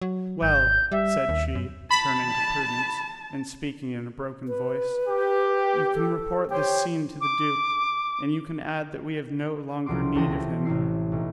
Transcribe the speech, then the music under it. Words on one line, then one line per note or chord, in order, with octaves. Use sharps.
"Well," said she, turning to Prudence, and speaking in a broken voice, "you can report this scene to the duke, and you can add that we have no longer need of him."
F#3
G#1 G6
G3 E5
D#2
F#2
A5 B5
B4
G4
A4
G4 C5 C#5 G5
D6
C2 F3 F#3 C6 D6
C#2 E3 A4 G5 A#6 D#7
C4
A1 C3 E4 C7
B1